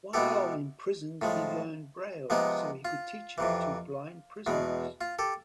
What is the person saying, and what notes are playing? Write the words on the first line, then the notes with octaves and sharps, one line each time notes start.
While imprisoned he learned braille so he could teach it to blind prisoners.
B2 G#3 B3 E4 G4 A4
A2 F3 G#3
C3 F3 G#3 B3 D#4
F4
F2 C3 E3
E2 B2 G#3
F4
G4 A4